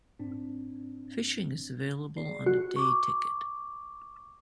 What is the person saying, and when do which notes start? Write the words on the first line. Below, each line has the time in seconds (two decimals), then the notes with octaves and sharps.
Fishing is available on a day ticket.
0.19 G#2 C4 D4
2.17 G#4 D5 C7
2.46 F#4
2.76 C#6 D6